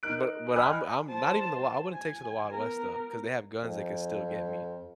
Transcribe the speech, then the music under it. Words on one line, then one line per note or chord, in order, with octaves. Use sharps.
but but I'm I'm not even the wild, I wouldn't take it to the wild west though, cause they have guns they can still get me.
D#4 A#4 F#6 D7
D#5 G5 G#5 B5 F6 F#6
C5 A5
G#5
B3 A#4
F2